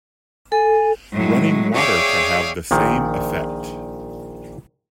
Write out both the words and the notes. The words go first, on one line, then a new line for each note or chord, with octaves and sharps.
Running water can have the same effect.
A4 G#5
A2 F#3 G#3
G#4 C#5 D5 E5 F5 G5
A#1 A#2 D#3